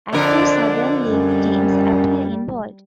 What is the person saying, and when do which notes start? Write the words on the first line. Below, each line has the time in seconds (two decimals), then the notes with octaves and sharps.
Active Southern League teams appear in bold.
0.13 F2 D3 D4 A#4
1.08 F#2 G3